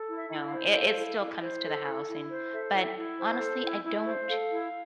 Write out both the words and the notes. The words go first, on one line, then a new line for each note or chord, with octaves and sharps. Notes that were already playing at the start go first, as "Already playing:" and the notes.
you know, it it still comes to the house, and but, honestly, I don't
Already playing: A4
E4
E5
E4
F5
C5
A4 F5
E4
E4
C5
A4
E4
E4
C5
A4 E5
E4 D5
E5
E4
C5
A4
E4
E4
C5
A4 F5
E4